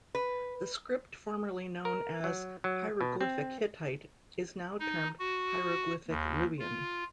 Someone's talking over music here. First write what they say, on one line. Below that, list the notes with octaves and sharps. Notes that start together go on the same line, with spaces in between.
The script formerly known as "Hieroglyphic Hittite" is now termed Hieroglyphic Luwian.
B4
A#4
F#3
F#3
B2
C4
D#4
F#4
D#2
F4